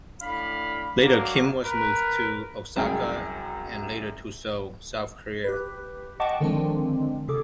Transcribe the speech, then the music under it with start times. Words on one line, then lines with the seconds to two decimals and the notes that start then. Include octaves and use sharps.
Later Kim was moved to Osaka and later to Seoul, South Korea.
0.22 A2 D4 F5 B5
1.01 F#3 A#3 D4
1.63 A#4 B4
2.76 C2 F#2 G#3 G5 G#5
5.44 G4 B4
6.20 D#5 F#5 G5 A5 C#6 D6
6.40 D3 D#3 F3 G#3 C4 D4
7.28 C3 G#4 A4 D6